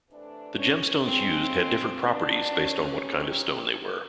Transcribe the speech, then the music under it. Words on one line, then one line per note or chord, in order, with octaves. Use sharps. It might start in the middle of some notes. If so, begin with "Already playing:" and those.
The gemstones used had different properties based on what kind of stone they were.
C3 E3 A3 D4
C#4
C#3 F3 G#3 C4
D#3 F#3 B3 D4
C#4
D#3 G#3 C4 D#4 G4